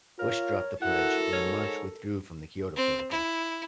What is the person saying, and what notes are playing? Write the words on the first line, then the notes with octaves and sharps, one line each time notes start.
Bush dropped the pledge, and in March withdrew from the Kyoto Protocol.
F4 A#4 C#5
E4 F#4 A4 A#4 F#5
G#2 C#5
C4
E4